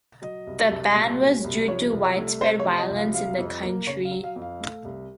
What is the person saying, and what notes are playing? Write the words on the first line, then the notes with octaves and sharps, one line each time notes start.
The ban was due to widespread violence in the country.
F#3 D#5
C2
C2
A#2
F#3
C2
F3 C#5
C2
C#5
A3
C3 C5
C#5
F3
D#5
C2
F5
F#3 F5
F2
A#3
C#3 C#5
F5
F#3
F5
F2
F5
A3
C2